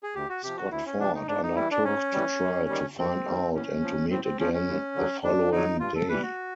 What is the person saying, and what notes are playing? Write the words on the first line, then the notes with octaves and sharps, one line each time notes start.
Scott-Ford undertook to try to find out and to meet again the following day.
G#4
D2 G4
F#4
C3 F3 G4
F#4
D2 E4
C#4
C3 F3 D4
D#4
G#2 D4
D#4
E3 G3 E4
D4
G#2 C#4
E3 G3
F#2
D#3 G3
F#2 C4
D#3 G3
A2 C#4
F3
A2 C4
C4
F3 C#4
C#4
D#2
D3 F#3
D#2 D4
D3 F#3 D#4
G2 F4
A4
E3 G3 B4
F#4